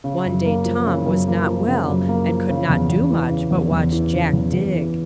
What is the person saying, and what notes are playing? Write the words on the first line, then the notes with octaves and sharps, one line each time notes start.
One day Tom was not well and could not do much but watch Jack dig.
C#3
F#2
A#3
F3
C#3
F#2
A#3
F3
C#3
F#2
A#3
F3
C#3
E2
E2
E3
C#3
E2
E2
E3
C#3
E2
E2
E3